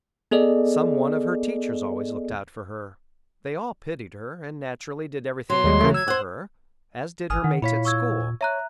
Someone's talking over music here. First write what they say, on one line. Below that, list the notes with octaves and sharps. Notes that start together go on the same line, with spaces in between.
Some one of her teachers always looked out for her. They all pitied her, and naturally did everything they could for her, as did her mates at school.
B3 G#4 A4 D5 D#5
F#3 C6
D#2 G3 G#3
C#3 E3 A3
E6 G#6
C5 F#5
G#1 G#5 D#6 F6
D#3 F#5
A#2 E4 C#5 F5 B5 B6
C#6 E6 G#6
C#5 E5 A#5 F#6